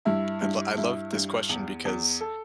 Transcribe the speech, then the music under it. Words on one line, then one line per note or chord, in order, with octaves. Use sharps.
I lo I love this question because
G2 E4
G2 E4
G2 E4
G2
E2
E2
A4